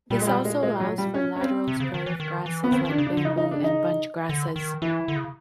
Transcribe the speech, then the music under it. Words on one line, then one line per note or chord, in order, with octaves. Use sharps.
This also allows for lateral spread of grasses like bamboo and bunch grasses.
A#2 G3
G#3
G3
G#3
G#3
F#3
G3
C#4
C#4
C4
C3
C#3
D#3
E3
D#3
E3
B3
D#3 C4
D#3
D4
C#3
D4
D3
C#3 D#4
D#4
D4
D#4
D3
D#3
E3 E4
D3
C#3